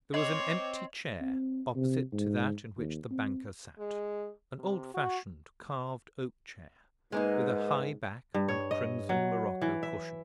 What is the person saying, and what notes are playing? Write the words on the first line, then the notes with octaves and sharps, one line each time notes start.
There was an empty chair opposite to that in which the banker sat; an old-fashioned, carved oak-chair, with a high back and crimson-morocco cushions.
C4 C5 C#5 D#5 D6
C4
C3
G#2
D#2
C4
G#3
C3
F#4
G#2 G#3 A#3 D#4 B4
G2
C#5
D#5
F#3
E3
E5